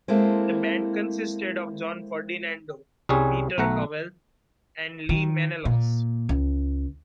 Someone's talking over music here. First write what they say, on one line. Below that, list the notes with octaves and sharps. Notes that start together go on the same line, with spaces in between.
The band consisted of John Ferdinando, Peter Howell, and Lee Menelaus.
G#3 A#3 C4 E4 A4
C2 G3 C#4 G#4 C#5
B1 A3 F#5 A#5
D#3
A#2
C#2